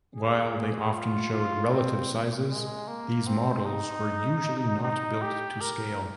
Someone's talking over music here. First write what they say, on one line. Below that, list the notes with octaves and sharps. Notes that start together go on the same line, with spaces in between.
While they often showed relative sizes, these models were usually not built to scale.
G#4
F4
F4
C4
G#3
A#3
C4
D#4
D#4
G4
A#4